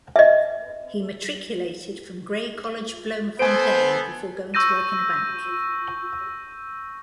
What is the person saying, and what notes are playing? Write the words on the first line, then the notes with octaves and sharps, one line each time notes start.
He matriculated from Grey College, Bloemfontein before going to work in a bank.
D#5 E5
B3 A4 C5 G#5 D7
C#6 E6 G6 A#6 D#7